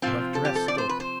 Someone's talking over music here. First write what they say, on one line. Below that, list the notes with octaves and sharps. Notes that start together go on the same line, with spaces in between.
You have dressed up.
C3 F3 C4 F4
A4
G4
A4
D5
C5
B4
C5